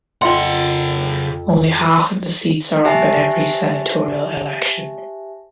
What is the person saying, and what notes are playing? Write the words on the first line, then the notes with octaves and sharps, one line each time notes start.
Only half of the seats are up in every senatorial election.
F2 C#3 F4 E5 F#5 C6
G4 C5 E5 G#5 A5